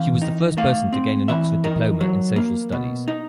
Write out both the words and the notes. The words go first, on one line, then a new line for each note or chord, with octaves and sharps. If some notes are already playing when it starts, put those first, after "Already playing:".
She was the first person to gain an Oxford diploma in social studies.
Already playing: E3 C4 F5
D#4
A3 F5
C4
E3 E5
D#4 A#4
F#3
A#3
B2
D#4